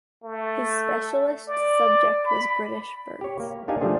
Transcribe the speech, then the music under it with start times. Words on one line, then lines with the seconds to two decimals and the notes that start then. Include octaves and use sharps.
His specialist subject was 'British Birds'.
0.24 A3
1.48 D5
2.25 B5
3.21 G4 C#5
3.40 A#3
3.68 A#3 D4 D#4 G4 F5 G#5
3.81 F3 G3 A3 D4 G#4 C5